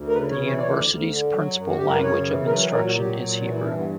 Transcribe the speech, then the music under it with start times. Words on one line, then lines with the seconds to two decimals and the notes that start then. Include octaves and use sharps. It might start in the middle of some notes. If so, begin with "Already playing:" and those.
The university's principal language of instruction is Hebrew.
Already playing: D2
0.08 A#4
0.14 C#3 B4
0.31 C#5
0.39 E3
0.46 C#5
0.58 D5
0.62 D2 C#5
0.78 D5
0.86 D2
1.09 D3
1.33 F#3
1.55 F#2
1.68 F#4
1.77 F#2 G4
1.86 A#4
1.94 B4
2.03 C#3 C#5
2.26 E3
2.46 A#4
2.50 F#3 B4
2.62 B4
2.74 A#2 A#4
2.86 F#4
2.97 F#3 G4
3.20 A#2
3.44 E3 F#4
3.56 E4
3.63 C#4
3.67 G2 D4
3.79 B3